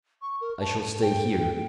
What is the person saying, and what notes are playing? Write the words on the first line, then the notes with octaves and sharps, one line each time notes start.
I shall stay here.
C#6
A#4
A5
A4
G5